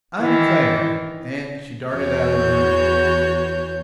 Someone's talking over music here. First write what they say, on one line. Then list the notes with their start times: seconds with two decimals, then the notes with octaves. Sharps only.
"I declare!" and she darted out of the room.
0.21 D#3 E3
1.92 E2 E3 F#4 C#5 G6